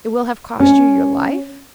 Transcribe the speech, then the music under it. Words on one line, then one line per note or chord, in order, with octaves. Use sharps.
It will have cost you your life?
C#4